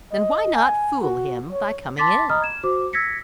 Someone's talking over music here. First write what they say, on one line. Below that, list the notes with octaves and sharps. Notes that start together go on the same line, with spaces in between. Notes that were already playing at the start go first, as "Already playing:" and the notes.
"Then why not fool him by coming in?"
D#5
G#5
F#4
C#5
A5 C6 D6 A6 B6
D#5 A#5 B5 D#6 F6
G#6 E7
F#4 C5 D6
E6 G#6 A#6 B6 C#7